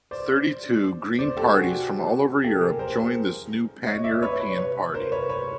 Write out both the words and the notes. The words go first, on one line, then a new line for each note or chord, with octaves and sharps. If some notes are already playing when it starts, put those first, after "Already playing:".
Thirty-two Green parties from all over Europe joined this new pan-European party.
C5 D5
C5 D5
G4 A4
F#4 G#4
G4 A4
G#4 A#4
A#4 C5
C#5 D#5
D5 E5
B4 C#5
B4 C#5
B4 C#5
A#4 C5
B4 C#5
B4 C#5